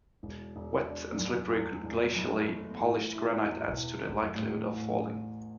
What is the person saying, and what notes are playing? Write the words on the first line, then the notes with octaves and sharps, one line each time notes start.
Wet and slippery glacially polished granite adds to the likelihood of falling.
E1 B2
E1
D4
F#2
E2 A2
E1
F#1
F#3
E3 A3
D3
B2
A2 E3
E4
E2 B2
A2
B2
E2
A2 E3
F#2
A2
E2
A1